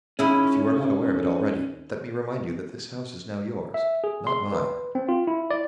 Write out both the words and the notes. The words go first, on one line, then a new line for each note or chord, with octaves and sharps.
If you are not aware of it already, let me remind you that this house is now yours; not mine.
D#2 C#4 E4 G#4
E5
G#4
C6
B4
C4
F4
E4
D5